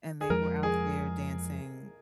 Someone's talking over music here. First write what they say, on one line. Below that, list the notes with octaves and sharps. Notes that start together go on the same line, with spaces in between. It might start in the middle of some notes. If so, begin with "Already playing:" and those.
and they were out there dancing
G#4
F2 F3 G#3 A#4
G#4